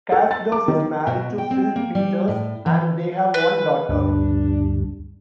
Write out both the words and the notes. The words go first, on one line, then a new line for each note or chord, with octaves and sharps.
Kasdorf is married to Phil Peters, and they have one daughter.
A4
A6
D6
D#3
B2
G5
C4
A#3
G3
A2
E3
E3 B4
D2 G2 D4